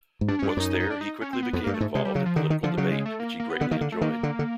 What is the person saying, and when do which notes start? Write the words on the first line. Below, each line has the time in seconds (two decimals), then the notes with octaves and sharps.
Once there, he quickly became involved in political debate, which he greatly enjoyed.
0.21 G#2
0.28 G2 D4
0.39 C#4
0.42 G2
0.49 D4
0.57 F#2 D#4
0.70 D#4
0.80 D#4
0.90 D4
1.01 D#4
1.21 C#4
1.33 C4
1.43 B3
1.53 F2 B3
1.64 A#3
1.67 G2
1.74 A3
1.81 G#2
1.95 C3 G#3
2.05 G3
2.15 C#3 F#3
2.26 F3
2.36 D3 D#3
2.50 D#3
2.63 D3 F3
2.77 C#3 F#3
2.92 G#3
3.06 A3
3.20 A#3
3.40 A#3
3.50 B3
3.60 D3 B3
3.71 D#3 A#3
3.81 D3
3.92 A3
4.01 D#3 A#3
4.23 D3
4.39 D3